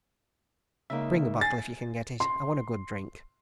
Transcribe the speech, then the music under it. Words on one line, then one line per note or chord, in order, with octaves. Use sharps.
"Bring a bottle if you can get it--I want a good drink."
C#3 G#3 A#3 D#4 E5
G#5 A6 C7
C6